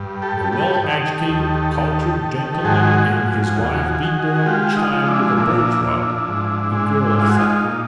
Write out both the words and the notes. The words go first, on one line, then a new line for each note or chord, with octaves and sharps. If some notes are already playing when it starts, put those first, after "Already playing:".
A well-educated, cultured gentleman and his wife beat their own child with a birch-rod, a girl of seven.
Already playing: G2
G4 A4
G2
G4 A4
D#3
D#2
D#3
D#3
G#2 F#4 G#4
F3
D#2
D#3
G#4
G#3 F4 G4
D#4 F4
F3
D4 E4
A#2 D4 E4
F3
G#2
G#3
G#3 F4
F#4
D#4 F4
D#4 F4
A#2